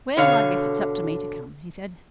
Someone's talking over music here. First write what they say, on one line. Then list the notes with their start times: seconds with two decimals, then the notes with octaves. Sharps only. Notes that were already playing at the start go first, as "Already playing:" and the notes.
"Well, I guess it's up to me to come," he said.
0.17 B2 D3 C#5 F5